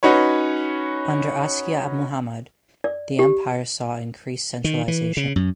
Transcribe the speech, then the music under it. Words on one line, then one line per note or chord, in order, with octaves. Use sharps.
Under Askia Muhammad, the Empire saw increased centralization.
C#4 D#4 F#4 B4 C#5
D5
G4
D#3
E3
C#3
F#2